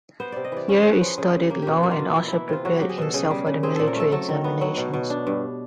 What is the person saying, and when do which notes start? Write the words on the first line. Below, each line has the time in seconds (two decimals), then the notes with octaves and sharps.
Here he studied law, and also prepared himself for the military examinations.
0.20 B3 C5
0.32 C3 D5
0.44 D#5
0.52 E3 D5
0.69 C#4
0.81 C#4 C5
0.93 B4
1.01 F3 G#4
1.18 C#3 G#4
1.35 C#3
1.42 G4
1.50 A#3
1.62 B2 F#4 G4
1.83 A#3
1.91 F4
1.99 B2
2.16 E3 E4
2.28 E3 E4
2.49 C3 F4
2.65 F#3 F#4
2.77 F#3 G4
2.89 G#4
2.98 B2 A4
3.14 C#3 G#4
3.31 G3
3.47 C#3
3.63 C4 G#4
3.75 A#2 A4
3.87 A#4
3.96 A3 A4
4.12 F#3 A4
4.29 D#3
4.44 B3
4.61 F#3
4.77 B2
4.94 B2
5.10 D4
5.27 G2